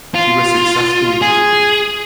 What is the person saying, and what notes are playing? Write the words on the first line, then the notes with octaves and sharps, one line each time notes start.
She was successfully treated.
F4
G#4